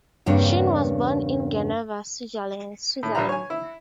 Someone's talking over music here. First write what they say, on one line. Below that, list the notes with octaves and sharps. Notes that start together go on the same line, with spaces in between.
Chin was born in Geneva, Switzerland.
E2 G2 C#3 A#3 C4 D4
A2
A#1 F4 B4 E5 A#5
C#5 G#5
E4